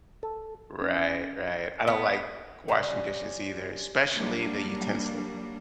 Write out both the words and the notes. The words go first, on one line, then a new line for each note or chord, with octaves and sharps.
Right, right. I don't like washing dishes either, especially the utensil.
A4
C#4
B3
C3 G3 C#4
F#3 G3 A#3 D4